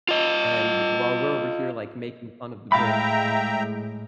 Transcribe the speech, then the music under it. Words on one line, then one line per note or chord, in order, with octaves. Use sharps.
and while we're over here like making fun of the Brits
F4 D#5
A2 G#3 E5 F5 G5 A#5 B5